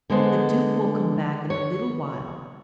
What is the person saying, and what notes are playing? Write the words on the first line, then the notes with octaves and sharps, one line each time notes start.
The duke will come back in a little while.
D3 G#3 B3 G#4 C5
C#5